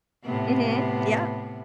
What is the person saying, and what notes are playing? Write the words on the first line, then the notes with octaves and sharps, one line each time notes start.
Mhm. Yup,
A2 C3 B3